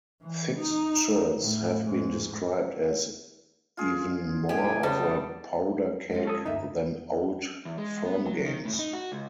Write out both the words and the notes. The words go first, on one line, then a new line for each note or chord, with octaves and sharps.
Fixtures have been described as "even more of a powderkeg than Old Firm games".
E3
D#4
A2
G#2
F4 G#4
A2 G4 G#5
C#3 G3 A3 B3 A5
G#3 F4 G4
C#4 A4 D#6
D2 G2 A#3 D#4 E5
E2
G#3
B3
F#3
D#3
A2
D#4
F#4
C#2